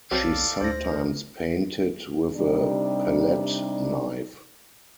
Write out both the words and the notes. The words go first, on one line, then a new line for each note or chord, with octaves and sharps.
She sometimes painted with a palette knife.
B1 F#3 C4 A4 D5 F5
D2 C5 A#6
A#4
C3 G3 D4 D#4